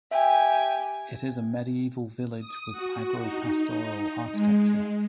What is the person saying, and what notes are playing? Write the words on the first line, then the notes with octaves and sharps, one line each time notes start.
It is a medieval village with agro-pastoral architecture.
G4 E5 G5 G#5
D#6
F#4
D#4
G#3